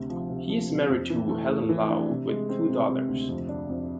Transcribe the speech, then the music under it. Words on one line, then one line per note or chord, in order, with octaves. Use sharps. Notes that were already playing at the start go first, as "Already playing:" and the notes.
He is married to Helen Lau with two daughters.
Already playing: D2 C3
F3
C3
F3
C3
F2
E3
A3
A3
E3
D4
C3
G#3
C4
C3
C3
D2
F2
D4
F2